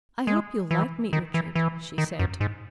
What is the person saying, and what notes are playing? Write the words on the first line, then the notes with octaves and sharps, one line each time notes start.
"I hope you'll like me, Ughtred," she said.
G#3
E3
D#3
E3
E3
D#3
F#2
G#2